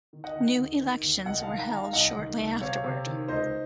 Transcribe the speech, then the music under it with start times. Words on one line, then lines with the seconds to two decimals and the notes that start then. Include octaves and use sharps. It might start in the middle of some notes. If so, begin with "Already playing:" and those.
New elections were held shortly afterward.
0.13 D#3
0.24 D#5 F#5
0.36 D#3
0.41 D#5 F#5
0.58 D#2
0.80 D#3
1.03 D#2
1.25 C2 D#5 F#5
1.42 F5 A5
1.48 D#3
1.59 F#5 A#5
1.69 D#3 A#5
1.76 F5 A5
1.93 C2 D#5 F#5
2.16 D#3
2.38 C2
2.61 C3 C#5 F5
2.84 C3
3.06 D#3
3.28 C#2 C5 D#5